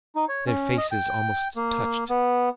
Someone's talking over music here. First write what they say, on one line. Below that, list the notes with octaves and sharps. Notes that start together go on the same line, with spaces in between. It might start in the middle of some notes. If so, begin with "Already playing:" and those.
Their faces almost touched.
D#4
C#5
C#4
D#5
G5
A#3
B3